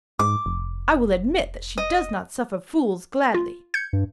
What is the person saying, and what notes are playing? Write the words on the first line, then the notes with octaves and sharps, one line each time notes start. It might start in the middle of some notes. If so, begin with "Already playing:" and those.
I will admit that she does not suffer fools gladly.'
G#2 D6
F1
D#5
F4
G6 G#6 C#7
G2